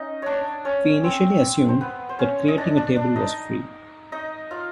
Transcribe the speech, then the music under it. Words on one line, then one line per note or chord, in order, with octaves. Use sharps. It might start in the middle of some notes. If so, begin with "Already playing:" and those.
We initially assumed that creating a table was free.
Already playing: C#4 D#4 D#5
D4 C#5 D5
C#4 C#5
C4 C5
C5
B3 B4
C5
C#4 C#5
D#5
D4 D5
D4 D5
D4 D5
D#4 D#5
D#4 D#5
F4 F5